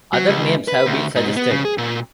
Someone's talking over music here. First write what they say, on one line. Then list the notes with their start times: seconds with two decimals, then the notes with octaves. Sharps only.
Other names have been suggested.
0.13 F#3
0.28 C#2
0.68 B4
0.86 D2
1.15 G#2
1.36 B3
1.51 C#3
1.65 G#4
1.78 A#2